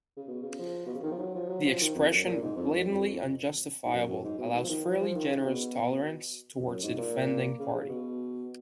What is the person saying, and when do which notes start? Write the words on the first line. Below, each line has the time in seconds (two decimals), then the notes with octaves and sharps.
The expression "blatantly unjustifiable" allows fairly generous tolerance towards the defending party.
0.16 C#3
0.28 B2
0.43 C#3
0.59 F3
0.86 B2
0.95 C#3
1.03 D#3
1.12 F3
1.19 F#3
1.35 F3
1.49 F#3
1.65 F3
1.81 D#3
1.95 F2
2.10 F#2
2.25 A#2
2.42 G#2
2.56 F2
2.72 F#2
2.86 F2
3.85 G#2
3.93 F#2
4.09 F#2
4.24 G#2
4.38 B2
4.54 D#3
4.63 F3
4.69 D#3
4.85 F3
5.00 F3
5.15 D#3
5.31 C#3
5.45 B2
6.58 F2
6.67 F#2
6.83 G#2
6.98 A#2
7.59 C#3
7.74 C#3
7.88 B2